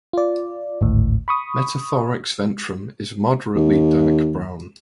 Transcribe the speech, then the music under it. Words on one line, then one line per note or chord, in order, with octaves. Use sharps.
Metathorax ventrum is moderately dark brown.
F4 D5
G#1 D2 A2
B5 C#6 D#6
D#2